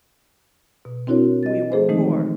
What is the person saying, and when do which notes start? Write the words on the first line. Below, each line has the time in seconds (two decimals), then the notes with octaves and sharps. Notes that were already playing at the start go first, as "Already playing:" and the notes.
We were poor.
0.85 B2
1.07 C4 D4 E4 F#4 A#4 C#5
1.43 D#5 A6
1.72 F3 A3 G#4 A4 C5
1.89 D#3 E3 G#3 A3 C4 D#4